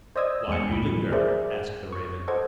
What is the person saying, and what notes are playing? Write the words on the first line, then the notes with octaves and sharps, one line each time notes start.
"Why do you linger?" asked the raven.
C5 D5 D#5 D#6 E6 G#6
E2 G#3 G#5 C#7
C2 A2 B5
G#4 A#4 C5 D5 E5
C#6
A4 C5 D#5 F#5 D6 G#6